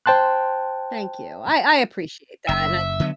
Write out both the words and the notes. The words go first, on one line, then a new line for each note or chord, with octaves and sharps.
Thank you. I I appreciate that, and I
C5 G5 A5 C6 F#6
F#1 E5
D3 F#3 B3